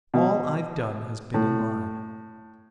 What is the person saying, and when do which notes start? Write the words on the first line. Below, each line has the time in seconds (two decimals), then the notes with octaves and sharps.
All I've done has been in line.
0.14 B2
1.34 A2